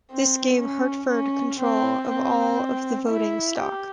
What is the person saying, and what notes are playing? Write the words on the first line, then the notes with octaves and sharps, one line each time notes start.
This gave Hartford control of all of the voting stock.
C4
C#4
C#4
C4
C4
E4
G4